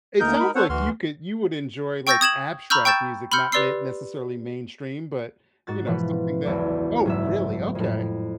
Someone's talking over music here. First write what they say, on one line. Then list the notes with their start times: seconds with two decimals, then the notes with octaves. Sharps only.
It sounds like you could you would enjoy, like, abstract music, not ma necessarily mainstream, but, you know, something that Oh, really? Okay.
0.20 D2 A#3 D#4 A#4 G6
0.41 G#3 B5
0.55 C4 A4 C5 C#5 F#5
0.69 D2 E3 F#4 C6 F6
2.07 G5 C#6 E6 G6 A6 A#6
2.21 D#6 G#6 E7 F#7
2.70 A#5 B5 C#6 E6 F6 G6
2.85 G5 C#6 E6 G6 A6 E7
3.32 B5 C6 E6 F6 G6 C#7
3.52 G4 B4 D5 C6 E6 C7
5.67 G#2 F#4 F#6 A6
5.87 B2 E3 F3 B4
6.45 F#1 B1 E2 D5
7.05 F#1 G#2 E5
7.75 F2 A2